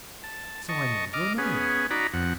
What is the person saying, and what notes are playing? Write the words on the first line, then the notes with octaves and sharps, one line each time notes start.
"So I know your name."
A5
D#5 A5 C#6
D#5 D6 F6
B3 C#4 G#4
D#4 F#4 D5 A#5 B5
F2 F#5